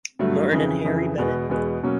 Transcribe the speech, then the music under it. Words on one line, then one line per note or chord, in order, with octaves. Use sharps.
Martin and Harry Bennett.
G2 D3 F#3 A3
F2 C#3 E3
F2 C#3 E3
E2 B2 G#3 B3
E2 B2 G#3 B3
B2 F#3 A#3 C#4